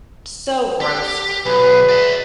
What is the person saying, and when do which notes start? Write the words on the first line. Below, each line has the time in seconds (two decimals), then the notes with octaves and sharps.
So gross.
0.81 G4
1.46 B1 F#3 G#4 B4
1.89 D5 E5